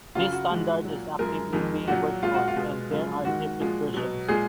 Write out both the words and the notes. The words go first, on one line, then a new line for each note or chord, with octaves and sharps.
This standard is actively being worked on and there are different versions.
F#2 C#3 F#3 F4
F#4
G#2 F3 G#3
A#2 F#3
F#2 F3 G#3 A#4
F2 D#3 G#3
A#2 F#3 F#4
A#2 G#3 F4
F#4
F4
B2 G#3
F#2 C#3 F3 G#3
G#2 D#3 G#3 F#4
A#2 F3 G#3
B2 F#3
A#2 G#3 G#4